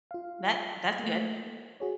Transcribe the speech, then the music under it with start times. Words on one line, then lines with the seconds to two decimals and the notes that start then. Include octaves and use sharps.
That that's good.
0.11 F4 F5
0.99 A3 A#3
1.80 F#4 G#4 C#5